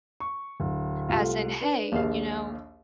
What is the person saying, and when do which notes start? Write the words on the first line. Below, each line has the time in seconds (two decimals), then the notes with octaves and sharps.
as in, "Hey, you know,
0.20 C#6
0.60 D1
1.09 C2 A3 F4
1.61 D4 B4
1.92 A#1 D#2 F5